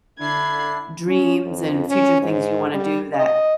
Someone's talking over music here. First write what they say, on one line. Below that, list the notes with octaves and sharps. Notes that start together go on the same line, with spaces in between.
dreams and future things you wanna do that
D3 D4 E4 B5 G#6 C7
C#4
F2
C#4
G#2
G3
D#5